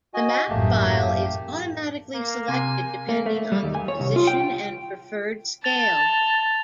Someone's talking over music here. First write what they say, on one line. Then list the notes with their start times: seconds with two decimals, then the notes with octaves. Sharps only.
The map file is automatically selected depending on the position and preferred scale.
0.14 F#4 D#5 G#5
0.49 A1 F#2 A2 A3 A#3 G4
2.15 A#3
2.49 C3 G#5
3.09 A#3
3.26 A3
3.52 G3
3.63 D#2
3.75 G#5
3.88 C#5
4.00 C2
4.16 F4
4.27 G5
5.64 A5 A6 F7 G7